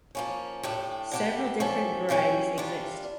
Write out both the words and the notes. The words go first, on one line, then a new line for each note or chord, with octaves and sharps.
Several different varieties exist.
F3 A#3 C#4
A2 G3 D4 G4
D3 G3 D4 G4
F3 C#4 E4 G4
G3 C#4 E4 G4
G3 D4 F4